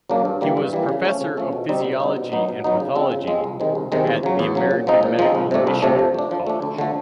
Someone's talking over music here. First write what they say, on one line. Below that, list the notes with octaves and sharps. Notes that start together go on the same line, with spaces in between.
He was Professor of Physiology and Pathology at the American Medical Missionary College.
C#3 F#3 A#3 D4
G2
E3 G3 A#3
G2
E3 G3 A#3
C#3
F3 A3 C#4
C#3
F3 A3 C#4
B2
G3 C4 D#4
B2
G3 C4 D#4
B2
F#3 B3 D#4
B2
F#3 B3 D#4
C#3
F3 G#3 C4
C#3
F3 G#3 C4
C2
C3 D#3 G#3
C2
C3 D#3 G#3
E2
C#3 F#3
E2
C#3 F#3
A#2
F3 G#3 C4 D#4
A#2
F3 G#3 C4 D#4
C2
C3 F3 A3 D4
C2
C3 F3 A3 D4
F3
A3 D4
F3
A3 D4
D2
D3 F3 A3